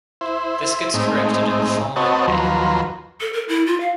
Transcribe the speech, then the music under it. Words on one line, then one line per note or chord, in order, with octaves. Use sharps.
This gets corrected in the following way.
E4 C5
A2 G#3 C4 D#4
C4 F#4 B4 C#5 D#5 A5
D#2 F3 F#3 B4 A#5 C6
A4
A#4
E4
F4
F5